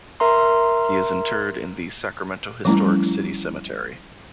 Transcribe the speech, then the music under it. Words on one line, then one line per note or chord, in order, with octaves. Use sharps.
He is interred in the Sacramento Historic City Cemetery.
A#4 E5 A#5 C6
F3 G3 A3 C#4 E4